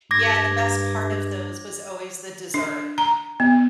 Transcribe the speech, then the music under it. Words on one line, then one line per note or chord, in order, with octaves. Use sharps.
Yeah, and the best part of those was always the dessert.
G2 D6 G#6 A#6
D4
A#5
B3